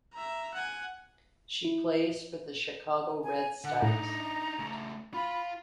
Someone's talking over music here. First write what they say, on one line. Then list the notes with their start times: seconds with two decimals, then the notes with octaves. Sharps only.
She plays for the Chicago Red Stars.
0.14 E5 A#5
0.54 F#5 G#5
1.65 E4
3.24 G#5
3.64 D3 F#5
3.82 A2 D4 D#4 A#5
4.59 C#3 A3
5.14 F4 F5 B5